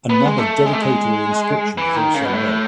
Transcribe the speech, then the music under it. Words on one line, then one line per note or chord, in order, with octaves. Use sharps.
Another dedicatory inscription is also known.
B3
G#3
A3
G#3
A3
G#3
E3
D#3
C#3
B2
A2